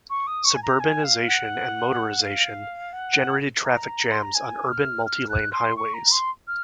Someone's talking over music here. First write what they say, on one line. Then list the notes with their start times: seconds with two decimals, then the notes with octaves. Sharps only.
Suburbanization and motorization generated traffic jams on urban multi-lane highways.
0.10 C#6
0.27 D#6
0.45 C#6
0.55 G#5
0.63 A#5
0.80 G#5
1.04 F5
1.28 F#5
2.22 F5
2.93 F#5
3.65 A#5
4.11 C6
4.23 A#5
4.35 G#5
4.70 F6
5.06 F6
5.29 F#6
5.52 C6
5.77 C#6
5.94 A#5
6.11 C6
6.47 F6